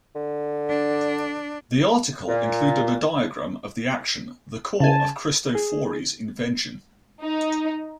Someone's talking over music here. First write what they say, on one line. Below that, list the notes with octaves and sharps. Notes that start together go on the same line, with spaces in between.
The article included a diagram of the action, the core of Cristofori's invention.
D3
D4
A#2
C#3 G#5 A5
G#4
D#4